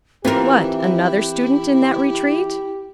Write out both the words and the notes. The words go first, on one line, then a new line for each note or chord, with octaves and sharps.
"What--another student in that retreat?"
E3 C4 E4 F4 G4 A#4